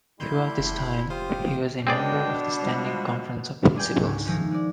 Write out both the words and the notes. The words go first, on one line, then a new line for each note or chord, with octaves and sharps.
Throughout this time, he was a member of the Standing Conference of Principals.
D3 D#3 G3 A3 E4 C6 G6
F1
F4 G4 C5 F5 D#6
C#2 B2 G#3 C4 D4 G#4 D5 G5
F3 G3 G#3
D4 G#4 G5
C#2 G#2
D#3 F3 G#3 A3 D#4
G#3 D5